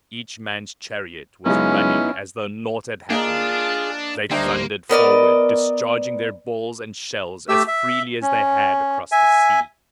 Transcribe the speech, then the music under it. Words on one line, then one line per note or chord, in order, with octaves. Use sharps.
Each man's chariot was running as though naught had happened; they thundered forward, discharging their balls and shells as freely as they had across the sea.
F#2 C#3 G#3 B3 C#4 D#4 E4
A#3 D4 F4 G#4 D#5 A#5
D2 G3 A#3 D4 D#4 G4 C5 E5
B3 A#4 D5 D#5
A3 G4 E5 E6
E5
C#4
E5 G#5